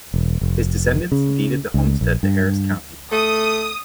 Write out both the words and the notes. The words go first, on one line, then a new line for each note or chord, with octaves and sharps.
His descendants deeded the homestead to Harris County.
E1
F1
C#3
C#2
A#1
G2
A3 D#6